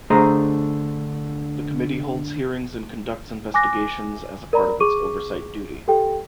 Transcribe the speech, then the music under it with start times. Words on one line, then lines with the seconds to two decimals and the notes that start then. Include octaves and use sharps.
The committee holds hearings and conducts investigations as part of its oversight duty.
0.10 D3 A3 G#4 C5 D#5 A#5
3.54 G#5 D6 F#6 A#6
4.53 A#4 D5 A#5 B5
4.80 G#4 C#6 D6 D#7
5.88 G4 A4 G5